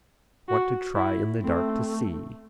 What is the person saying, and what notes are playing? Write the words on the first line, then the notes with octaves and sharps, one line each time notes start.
Want to try in the dark to see.
F#4
E4
A3 C4